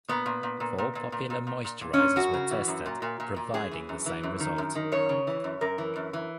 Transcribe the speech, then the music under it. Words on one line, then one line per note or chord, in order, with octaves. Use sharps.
Four popular moisturizers were tested, providing the same result.
A#2 B3
A#2
A#2
A#2
A#2
A#2
A#2
A#2
A#2
A#2
A#2
A#2 C#4
F#2 F#4
C#3
E3
F#2
A#2
A#2
A#2
A#2
F#2 G#4
E3
F#2
E3
F#2
D#3
F#2
D#3
F#2 C#5
C#3
E3
F#2
F#2 A#4
E3
F#2
E3